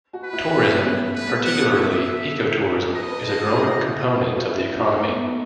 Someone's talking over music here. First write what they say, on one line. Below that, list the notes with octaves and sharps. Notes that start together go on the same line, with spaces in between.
Tourism, particularly ecotourism, is a growing component of the economy.
F#4
B4
E4
C#4
B3
C#4
A3 B4
B3
F#4 F#5
A4
E5
A4
B4 D#5
B4
A4
F#4
E4
F#4
F#4
F#4
E4
D#4
A3
B3